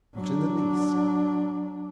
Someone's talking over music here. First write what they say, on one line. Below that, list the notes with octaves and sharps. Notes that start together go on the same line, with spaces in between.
"Not in the least."
F#3 D4